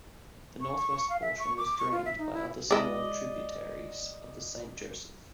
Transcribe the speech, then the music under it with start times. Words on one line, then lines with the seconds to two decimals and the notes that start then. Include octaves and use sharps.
The northwest portion is drained by other small tributaries of the Saint Joseph.
0.61 C#6
0.77 C#6
0.90 C#6
1.10 F5
1.22 E5
1.39 C#6
1.58 D6
1.79 C#6
1.92 F4
2.05 E5
2.18 D#4
2.34 E4
2.71 G#3 E4 D5 D#5